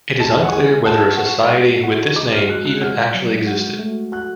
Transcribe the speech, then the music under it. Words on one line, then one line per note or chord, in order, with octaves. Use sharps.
It is unclear whether a society with this name even actually existed.
G#3 A5
G#5
F#5
G#3 G#5
F#4 A5
F#4
G#3
F#4
G#3 D6
F6
G#3 F#6
F#6
F#4 F6
F#3
F#4
A3
F#4 F#6